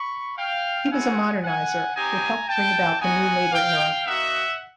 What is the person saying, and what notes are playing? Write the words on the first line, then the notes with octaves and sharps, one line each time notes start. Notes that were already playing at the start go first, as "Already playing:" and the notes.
He was a moderniser who helped bring about the New Labour era.
Already playing: B5 C#6
F5 G5
G#3 C4 E4 G4 F#5 G#5
F#5 G#5
C4 D#4 G4 G#5 A#5
G5 A5
B3 D#4 F#4 F#5 G#5
F5 G5
A#3 D#4 F#4 E5 F#5